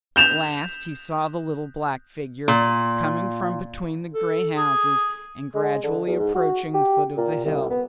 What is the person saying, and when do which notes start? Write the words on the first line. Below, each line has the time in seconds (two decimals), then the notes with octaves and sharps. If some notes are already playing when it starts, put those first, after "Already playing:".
At last he saw the little black figure coming from between the grey houses and gradually approaching the foot of the hill.
0.16 G6 E7 F7
2.48 A#2
4.14 A4
4.57 G#4
5.55 G#3
5.83 D3
6.07 E2
6.19 G#2
6.35 F#4
6.74 G4
7.17 A#2
7.45 C2
7.70 B3